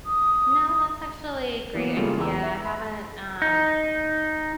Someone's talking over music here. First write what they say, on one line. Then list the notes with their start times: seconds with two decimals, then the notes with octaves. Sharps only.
No, that's actually a great idea, I haven't, um,
0.06 D#6
1.75 E3 A#3 B3
1.97 C#3 G3 G#3 A#3 F4 A4
2.17 E2 E3 G4 A#5 E6
2.43 E5
2.65 B5
3.42 D#4